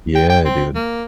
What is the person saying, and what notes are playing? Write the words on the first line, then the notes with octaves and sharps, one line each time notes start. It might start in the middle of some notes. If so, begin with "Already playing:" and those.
Yeah, dude.
G5
G5
C4
A#3